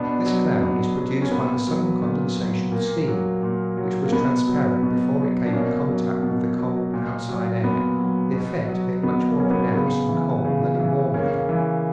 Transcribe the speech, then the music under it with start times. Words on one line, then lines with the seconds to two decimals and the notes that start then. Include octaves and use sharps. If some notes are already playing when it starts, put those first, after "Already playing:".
This cloud is produced by the sudden condensation of steam, which was transparent before it came in contact with the cold, outside air, the effect being much more pronounced in cold than in warm weather.
Already playing: B2 B3 D4
0.26 F#3
0.62 B2 B3
0.97 F#3
1.22 C#4
1.31 A#2 B3
1.67 F#3
2.02 A#2
2.37 F#3
2.72 A#2 A#3
3.08 F#3
3.43 A#2
3.77 F#3
4.04 A#3
4.12 B2 B3
4.47 F#3
4.83 B2
5.18 F#3
5.46 D4
5.53 B2 A#3 C#4
5.88 F#3
6.23 B2
6.58 F#3
6.94 A#2
7.29 F#3
7.63 A#2 B3
7.99 F#3
8.34 B2
8.68 F#3
9.03 B2 B3
9.28 A#3
9.39 F#3 C#4
9.51 B3
9.74 C#3 B3
10.09 E3
10.45 C#3
10.80 E3
11.14 C#3 A#3 C#4
11.49 E3